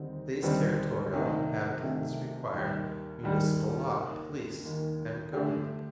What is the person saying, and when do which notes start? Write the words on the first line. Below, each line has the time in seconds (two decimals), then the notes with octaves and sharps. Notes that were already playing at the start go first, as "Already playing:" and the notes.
These territorial inhabitants require municipal law, police, and government.
Already playing: D#2 D3 G3 C4 D#4
0.42 D#2 D3 G3 C4 D#4
1.13 C2 C3 D#3 A3 D#4
1.83 C2 C3 D#3 A3 D#4
2.53 D#2 D#3 G3
3.23 D#2 D#3 G3
3.93 D#2 D#3 A#3
4.63 D#2 D#3 A#3
5.33 D3 A3 D4 G4